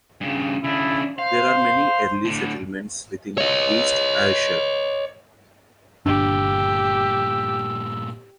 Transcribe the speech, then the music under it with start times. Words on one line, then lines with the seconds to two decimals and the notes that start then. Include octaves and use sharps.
There are many early settlements within East Ayrshire.
0.21 G2 C#3
0.64 C#3 D4 E4
1.19 C5 F5
2.25 A2 D3
3.38 C#5 D#5
6.06 G1 G2 A#2 D4 G4 E6